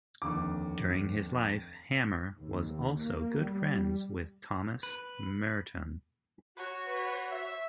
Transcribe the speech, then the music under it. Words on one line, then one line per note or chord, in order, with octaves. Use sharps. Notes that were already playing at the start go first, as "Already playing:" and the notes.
During his life, Hammer was also good friends with Thomas Merton.
F1 D#2 D3 D6
D#2
A#3
G3
B4
F#4 C#5
B4
E5